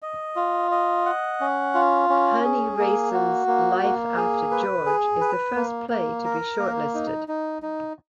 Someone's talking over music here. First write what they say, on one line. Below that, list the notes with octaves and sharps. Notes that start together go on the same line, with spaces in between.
Hannie Rayson's, "Life after George", is the first play to be shortlisted.
D#5
F4
D#5
F#5
C#4
F4
C#4
G#4
A#3
F#4
A#3
A#3
G#4
B4
G#4
B4
A#3
A#3
A#4
A#3
D#4
D#4
D#4